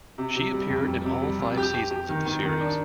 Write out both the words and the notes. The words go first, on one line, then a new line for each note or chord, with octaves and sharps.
She appeared in all five seasons of the series.
C3
C3
G3
F2
G3
C3
G3
F2
G4
G4
G4
D#3
D#3
D#3
D4